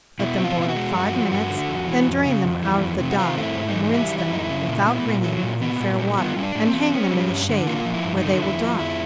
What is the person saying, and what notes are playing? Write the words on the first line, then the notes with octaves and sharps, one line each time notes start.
Let them boil five minutes; then drain them out of the dye, and rinse them, without wringing, in fair water, and hang them in the shade, where they will dry.
B2 E4
C4
F4
B2 F4
F#4
G#3
G2 F#4
F3
G2 F#4
D3
F2
E3
F2
C#3
F2
E3
F2
C3
F#4
C4 F4
A3 F4
E4
G#2
D#4
E3
D#4
G3 E4
E3
E4
F#2 D#4
E4
C#3
A#2
B3
A#2
F#3
A#2
B3
A#2
G3
E4
B3 F4
G3 C#4
D4
A2
C4
E3
B3 C#4
G3 C4
C#4
G2
D3
A#3 F4
F3
E4
G2
D#4
D3
F2 E4
F3
F2 E4